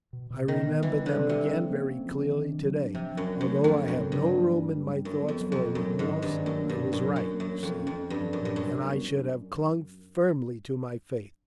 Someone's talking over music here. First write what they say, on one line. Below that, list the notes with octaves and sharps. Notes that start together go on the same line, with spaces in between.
I remember them again very clearly to-day, although I have no room in my thoughts for remorse. I was right, you see, and I should have clung firmly to my faith.
B2
B2
D#3 B3
B3
E3 G3
D#3
D3
G3
C3
G3
F3
A#3
C#4
F3
D#3
D4
F#3
D4
C3 F3
F3
F#2
C#4
F#2
A3
F2 D4
D4
F#2
C#3
G2
F#3
A#3
A#3
G3
G3
F#2 D4
B3
F2
F#3
F2
B2
F#2 F#3
D#3
G#2
D#3
G2
D#3
F#2 A#3
A#3
G2
B2
F#2
F#3
F#2 C#4
A#3
F#2
C#4
F2
C#4
F2 C#4
C#4
G2
F3
F#2
A#2
G2
F#2 G3
G3
B3
D4